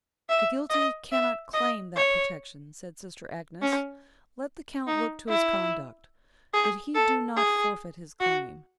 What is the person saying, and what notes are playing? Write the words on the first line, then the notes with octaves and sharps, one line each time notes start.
'The guilty cannot claim that protection!' said sister Agnes, 'let the Count look to his conduct, that he do not forfeit his claim!
E5
D#5
E5
D#5
C#5
C#4
D#4
E4
G#4
A4
G#4
F#4